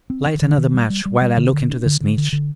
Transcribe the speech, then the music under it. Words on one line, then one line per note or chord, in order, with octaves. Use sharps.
Light another match while I look into this niche.
C4
D#3
D#3
D#3
G3
G3
G3
G3
D3
D3
D4
D3
D3
D3
D3